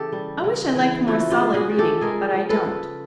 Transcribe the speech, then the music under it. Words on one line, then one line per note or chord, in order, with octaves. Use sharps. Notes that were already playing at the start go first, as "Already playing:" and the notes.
I wish I liked more solid reading; but I don't.
Already playing: C#3 E3 G4 A4
G3
C#3
E3
F3 E4 F#4
F4 G4
G#3
F#4 G#4
F3
G4 A4
G#3 G#4 A#4
F3
A4 B4
C#3